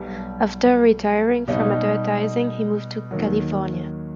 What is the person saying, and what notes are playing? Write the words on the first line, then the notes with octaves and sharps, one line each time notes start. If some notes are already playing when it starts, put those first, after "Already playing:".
After retiring from advertising, he moved to California.
Already playing: B1 B2 G3
B2 G3 B3 D#4
D#2 D#3 F#3